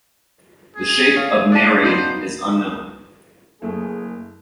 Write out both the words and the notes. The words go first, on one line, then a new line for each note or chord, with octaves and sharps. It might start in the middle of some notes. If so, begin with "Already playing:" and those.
The shape of Nereid is unknown.
G#4
C#5 F5
D4 D5 A5
B3 D#4 C5
F#1 A3 A#3 G#4